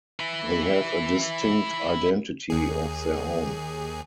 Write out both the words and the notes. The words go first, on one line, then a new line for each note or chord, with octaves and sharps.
They have a distinct identity of their own.
E4 B4
D#2 G#4